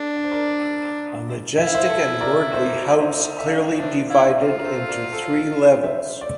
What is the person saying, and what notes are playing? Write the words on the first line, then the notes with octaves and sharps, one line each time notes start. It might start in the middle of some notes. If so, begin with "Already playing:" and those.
A majestic and lordly house clearly divided into three levels.
Already playing: D4 A4
D5
C5
A#4 D5
E4 E5
F5
C5 E5
A4 C5
A#4 D5
C5 E5
D5
C5 E5
E5
D4 D5 F5
D4 C5 E5
E4 D5 F5
C5
D5
F4 C5 E5
A#4
A4 C5
A#4 D5
A4 C5
C5 E5
D5